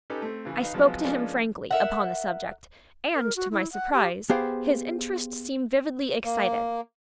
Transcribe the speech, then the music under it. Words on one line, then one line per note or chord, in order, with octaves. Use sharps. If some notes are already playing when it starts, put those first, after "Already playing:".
I spoke to him frankly upon the subject; and, to my surprise, his interest seemed vividly excited.
C#4 D#4 G4 A4 B4
A3 C4
C#3 E3
D#4 B4 F5
C3 F3 F#3 G#3 B3 F4
F3 G#3 A#3 B3 C#4 D4
A#4 E5 F#5
A#4
F#4
E4
F#5
G4
B3 G4 G#4 C5 F5 G5
A#3